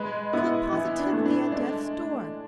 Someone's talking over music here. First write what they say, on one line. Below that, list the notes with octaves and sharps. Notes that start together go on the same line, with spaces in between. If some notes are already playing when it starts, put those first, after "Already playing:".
You look positively at death's door.'
Already playing: G#3 B4
B3 E4
E3 E4
D4
A3
D4
G#3 D4